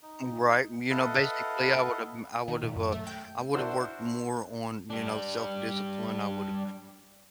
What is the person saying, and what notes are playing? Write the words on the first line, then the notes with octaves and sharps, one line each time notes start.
Right, you know, basically, I would've I would've uh, I would've worked more on, you know, self-discipline, I would've
D#4
E4 A4 B4 D#5 F5 F#5
D#3
A#2
F#2
A3
G5
D4 E4 F#4 A#4 C5
G3 D4